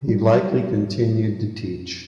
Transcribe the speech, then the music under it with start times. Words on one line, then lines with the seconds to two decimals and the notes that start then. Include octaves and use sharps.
He likely continued to teach.
0.08 F#3 G3